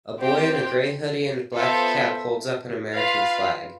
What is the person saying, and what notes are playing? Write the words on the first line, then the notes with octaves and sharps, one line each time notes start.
A boy in a gray hoodie and black cap holds up an American flag.
C4 G4 C5 G5
B3 F4 A4 C5 E5
F4 B4 F5